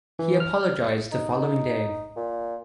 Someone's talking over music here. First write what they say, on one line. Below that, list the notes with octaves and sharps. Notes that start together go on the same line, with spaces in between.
He apologised the following day.
E3
F6
D#4
A#2